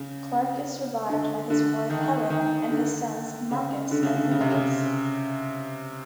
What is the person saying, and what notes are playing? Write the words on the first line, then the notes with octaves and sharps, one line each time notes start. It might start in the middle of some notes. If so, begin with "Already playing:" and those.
Clarke is survived by his wife Helen and sons Marcus and Nicolas.
Already playing: C#3
D3
D3
D#3
D#3
D3
C#3
D3
C#3
D3
C#3
C3
C#3